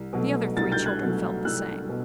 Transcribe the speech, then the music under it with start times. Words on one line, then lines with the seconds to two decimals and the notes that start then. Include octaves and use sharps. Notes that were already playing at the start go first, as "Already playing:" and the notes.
The other three children felt the same.
Already playing: C2
0.13 B2 F#3 A3
0.57 C2 A6
0.72 G6 A6
0.86 F#6 G#6
1.01 B2 F#3 A3
1.45 C2 E6 F#6
1.89 B2